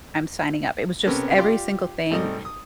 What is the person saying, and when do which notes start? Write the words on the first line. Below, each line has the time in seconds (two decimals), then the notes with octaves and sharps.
I'm signing up." It was just every single thing
1.06 C3 B3 C#4 A4 A#4
1.38 F4 G4 D5 C6
2.11 G#1 C3 G3 A3 D#5
2.45 D#6